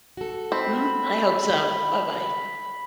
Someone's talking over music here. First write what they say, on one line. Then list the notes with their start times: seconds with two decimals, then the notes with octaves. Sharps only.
Mm, I hope so. Bye-bye.
0.17 F#4 A4
0.52 C4 B5